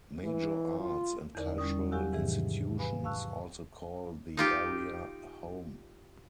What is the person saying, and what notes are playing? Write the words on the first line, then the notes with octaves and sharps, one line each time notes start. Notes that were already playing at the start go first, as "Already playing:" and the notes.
Major arts and cultural institutions also call the area home.
E3
F4
E2 D3 D#4 A#4 D5
E2 G3 C#4 D#6
F#3 G4 F5 G#5 E6 F#6
G#2 C3 D#3 E3 G4 G#4
B4 F5 G#5 B5
F5 A5 C#6 E6 F#6
D#4 F4 G4